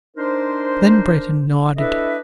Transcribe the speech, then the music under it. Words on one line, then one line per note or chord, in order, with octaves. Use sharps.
Then Breton nodded.
D4 D#4 A#4 C5
D4 E4 A4 B4 D#5 E5